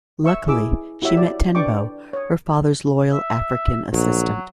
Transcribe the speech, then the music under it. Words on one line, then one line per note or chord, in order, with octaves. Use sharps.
Luckily, she meets Tenbo, her father's loyal African assistant.
E5 C#6 E6
E4 G#4 D6 E6
E4 F#4 G4 C#5 E5
D5
D4 B4 D5 G5 C#6 D6
C#5 D#6
E5
A#1 F#3